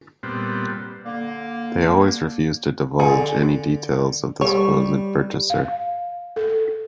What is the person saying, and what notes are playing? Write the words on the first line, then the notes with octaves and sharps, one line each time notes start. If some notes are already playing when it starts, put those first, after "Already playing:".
They always refused to divulge any details of the supposed purchaser.
A#2 G3 B3 C4
D3 A#3
D3 G#4
G3 C#5
F5
A4